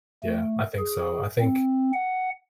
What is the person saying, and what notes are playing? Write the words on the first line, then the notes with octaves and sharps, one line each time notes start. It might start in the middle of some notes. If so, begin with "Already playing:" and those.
Yeah, I think so, I think
A3
G#4
C4
F#5